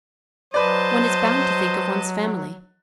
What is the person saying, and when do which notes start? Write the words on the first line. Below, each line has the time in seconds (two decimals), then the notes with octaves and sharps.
One is bound to think of one's family.
0.54 F#3 B4 C5 D5 D#5 A5